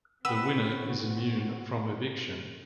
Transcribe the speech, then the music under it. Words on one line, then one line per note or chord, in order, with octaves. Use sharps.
The winner is immune from eviction.
C4 F#4 B4 F#5 G5 D#6 E6